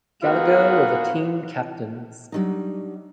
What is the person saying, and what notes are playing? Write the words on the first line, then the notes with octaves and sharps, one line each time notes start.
Gallagher were the team captains.
G#2 A#3 B3 F4 F#4
F#3 G3 A3 D4 D#4